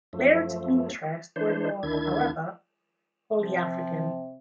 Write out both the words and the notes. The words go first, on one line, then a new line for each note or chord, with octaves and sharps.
Laird's interests were not, however, wholly African.
F#2 F3 A3
E3 D4 C5
D2 D#3 D4 E4 G#6
C3 F3